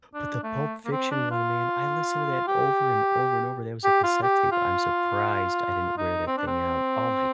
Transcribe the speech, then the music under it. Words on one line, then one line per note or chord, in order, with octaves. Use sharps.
but the Pulp Fiction one, man, I listen to that over and over and over, that was a cassette tape, I'm surprised I didn't wear that thing out. Oh, my
D4
A3
A#3
C4
D4
F4
G4
G4
F4
G4
F4
D#4
C4
D4
C4